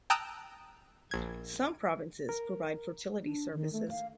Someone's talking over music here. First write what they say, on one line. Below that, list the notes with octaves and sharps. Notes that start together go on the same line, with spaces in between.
Some provinces provide fertility services.
G5 A5 A#5 D#6 E6 F#6
A#1 G#6
A#4
D4
D#3
A3
F5